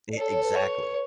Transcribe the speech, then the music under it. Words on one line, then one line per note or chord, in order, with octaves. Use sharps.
E exactly,
D5
A4 C#5
C#5
B4
C#5